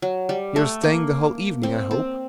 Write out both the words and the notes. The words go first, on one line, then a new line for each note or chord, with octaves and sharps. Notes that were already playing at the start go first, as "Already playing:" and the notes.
"You are staying the whole evening, I hope?"
F#3
G3
A3
A#3
C4
C4